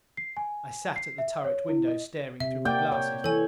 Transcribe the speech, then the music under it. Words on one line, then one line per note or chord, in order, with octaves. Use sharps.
I sat at the turret window, staring through my glasses.
C7
G#5
C7
E5
C#5
E4
D#5
C3 E5
A#3 D5 G5
C#5
E3 A4 C#5 G#5